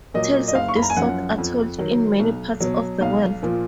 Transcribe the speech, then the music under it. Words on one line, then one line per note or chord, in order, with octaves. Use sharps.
Tales of this sort are told in many parts of the world.
A#2 F#3 D#5
D#5
F#1 F5
C#6
B5
A#5
G#5
F#2 F3 F#5
F2
D#3 F#3
B1
B2 F#3
B1 F5
A#2 F3